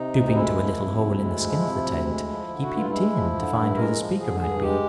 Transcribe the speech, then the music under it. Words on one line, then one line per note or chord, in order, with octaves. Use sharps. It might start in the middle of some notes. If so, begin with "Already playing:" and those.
Stooping to a little hole in the skin of the tent he peeped in to find who the speaker might be.
Already playing: C3 D#4
D2
G#3 E4
F3
C3
D2
G#3
F3
C3
D2
G#3
F3
D3
F#4
G2
F4
G#3 E4
F3
D3
G2
G#3 A#4
F3
D3 G#4
G2 G#4
G#3 G4